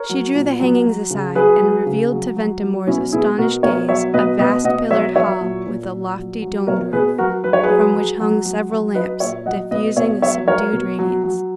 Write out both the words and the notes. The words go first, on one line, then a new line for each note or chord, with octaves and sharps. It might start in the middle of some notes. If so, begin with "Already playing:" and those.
She drew the hangings aside, and revealed to Ventimore's astonished gaze a vast pillared hall with a lofty domed roof, from which hung several lamps, diffusing a subdued radiance.
Already playing: A#4 C#5
F#3
A#2
F#3
F#3
C#3
F#3 G#4 B4
F#3
C#3
F#3
F#3
F#3
B2 C#4 E4
B2 E4 G#4
B2 F#4 A#4
B2 A#4 C#5
F#3 C#5 E5
B2 B4 D#5
B2 B4 D#5
B2 D#5 F#5
F#3 C#5 E5
F#3 C#5 E5
A#2
A#2
A#2
F#3
F#3
B2 A#4 C#5
B2 G#4 B4
F#3 F#4 A#4
F#3 B4
C#5
G#4 B4
F#3
F#3
F#3
F#3
F#3
F#3 B4 D#5
A#2 C#5 E5
F#3 D#5 F#5
B2 B4 D#5
B2 C#5 E5
F#3 C#5 E5
F#3 A#4 C#5
B2
F#3
F#3